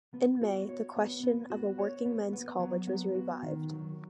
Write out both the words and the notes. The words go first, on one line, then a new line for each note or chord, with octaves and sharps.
In May the question of a Working Men's College was revived.
B3
F#4
C#5
B3
B3
F#4
C#5
B3
B3
F#3
B3
F#4
D#3
F#3